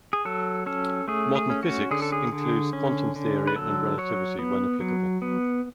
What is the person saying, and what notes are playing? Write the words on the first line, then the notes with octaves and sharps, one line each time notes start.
Modern physics includes quantum theory and relativity, when applicable.
G#4
F#3 A4
C#4 A4
A3 G#4
G#4
C#4
F#4
D3 G#4
A4
G#4
D3
C#4
D3
B4
F#3 A4
F#3 C#5
B3
F#3
B3